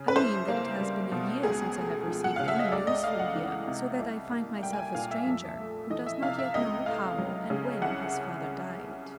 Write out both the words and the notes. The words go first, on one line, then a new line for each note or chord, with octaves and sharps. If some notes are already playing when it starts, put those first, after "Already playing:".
"I mean that it has been a year since I have received any news from here, so that I find myself a stranger who does not yet know how and when his father died."
Already playing: C#3
B4
C2 C5
A#3
G3
B2
C#2 G#4
A3
F3
F#5
C#3 F5
E5
D#5
C#2 D5
D#5
A3 F5
F#5
E3
C3
C2
A#3
G3 G5
G#5
G5
A#2 F5
E5
F2
A3
E3 D#5
E5
C3 F5
E5
C#2 D#5
A3 F5
F#3
C#3
C2 F#5